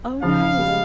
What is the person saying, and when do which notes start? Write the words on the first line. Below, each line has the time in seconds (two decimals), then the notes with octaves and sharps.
Oh, nice.
0.23 C#3 F3 F5
0.59 G3
0.67 G#3